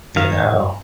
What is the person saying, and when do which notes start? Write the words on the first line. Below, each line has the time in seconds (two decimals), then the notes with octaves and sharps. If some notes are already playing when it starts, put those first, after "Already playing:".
You know?
0.16 D#3 F5